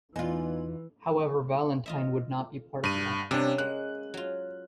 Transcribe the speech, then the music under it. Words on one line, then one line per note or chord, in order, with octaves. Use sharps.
However Valentine would not be part of the lineup.
E2 E3 B3 D#4 F4 B4 G#5
F4 D#5 E5
G2 D#7
C3 G3 A#3 C#4 D4
G#3 A#3 F#6
F#3 F4